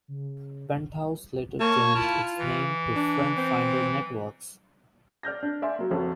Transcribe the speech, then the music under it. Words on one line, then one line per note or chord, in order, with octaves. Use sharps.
Penthouse later changed its name to FriendFinder Networks.
C#3
A#3 C#5 A5 C#6
E4 F4 A5
E3
D4
C4
D5 F6 G6 A#6
D4
D5 E5 G#5 C6
F#3 A#3
F#1 F2 F#4